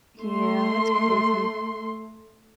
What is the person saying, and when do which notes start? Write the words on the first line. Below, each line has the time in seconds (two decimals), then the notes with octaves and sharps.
Yeah, that's crazy.
0.21 A3 C6